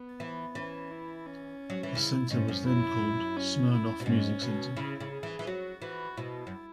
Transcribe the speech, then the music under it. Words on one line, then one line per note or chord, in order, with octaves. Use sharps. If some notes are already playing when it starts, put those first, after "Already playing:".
The center was then called Smirnoff Music Centre.
Already playing: B3
E3
E3 C#4
E4
C#4
F#3
E3
C#3 E4
G#2 C#4
F#2
E4
C#4
E4
B2
G#2 C#4
B2
C#3 E4
C#3
G#4
E3
E3
F#3 F#4
E3 F#4
B2 E4
F#2